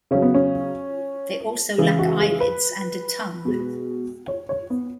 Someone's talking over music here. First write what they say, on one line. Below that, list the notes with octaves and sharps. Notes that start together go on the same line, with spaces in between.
They also lack eyelids and a tongue.
C#3 F#3 C#4
B3
C#4
C#3 E3 G#3
F#4
G#4
B4
B2 G#3
C#5
C#5
B3